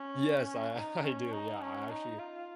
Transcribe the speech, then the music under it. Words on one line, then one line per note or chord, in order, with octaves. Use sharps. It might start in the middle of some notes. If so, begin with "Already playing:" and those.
Yes, I I do, yeah, I actually
Already playing: C#4
D#4
C#4
D#4
C#4
D#4
F4